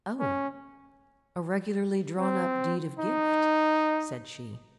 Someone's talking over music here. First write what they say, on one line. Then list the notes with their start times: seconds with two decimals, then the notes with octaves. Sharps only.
"Oh! a regularly drawn up deed of gift," said she.
0.20 C#4
2.19 C4
2.99 D#4